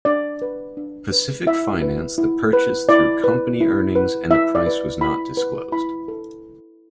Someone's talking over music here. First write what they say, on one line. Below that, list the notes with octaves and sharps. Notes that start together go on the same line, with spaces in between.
Pacific financed the purchase through company earnings and the price was not disclosed.
D4 D5
B4
D4
B4
E4 E5
B4
E4
B4
E4 D5
B4
E4
B4
E4 E5
D5
B4
E4 B5
B4
E4 B5
A4